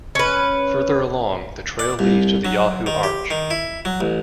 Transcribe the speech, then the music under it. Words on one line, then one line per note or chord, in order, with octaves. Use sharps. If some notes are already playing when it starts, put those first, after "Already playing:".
Further along, the trail leads to the Yahoo Arch.
C#4 B4
D5
C2
F#3
D#3
G4
D#3
E4
F#3
A1